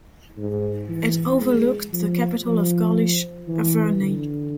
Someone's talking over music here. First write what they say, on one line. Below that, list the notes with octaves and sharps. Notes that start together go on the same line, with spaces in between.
It overlooked the capital of Gaulish Avernie.
G#2
E3
G#3
F3
F3
E3
D3